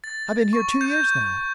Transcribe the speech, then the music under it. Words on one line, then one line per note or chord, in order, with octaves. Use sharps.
I've been here two years now.
A6
C#6
G6